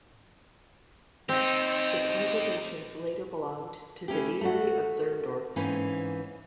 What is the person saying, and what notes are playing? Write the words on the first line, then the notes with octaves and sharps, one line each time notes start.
The congregations later belonged to the Deanery of Zirndorf.
C4 D#4 G4
A3 C#4 E4 G4
A3 F#4
G#2 E3 A#3 C4 C#4